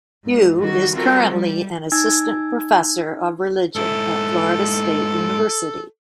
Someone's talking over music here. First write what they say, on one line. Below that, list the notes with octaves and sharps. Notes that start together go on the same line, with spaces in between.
Yu is currently an Assistant Professor of Religion at Florida State University.
G#2
D#3 F#3 G3 F#4
G3 C4 F4 F#4 A4 A#4
G3
D#4 G#5 E6 G#6
G#2 E4 A4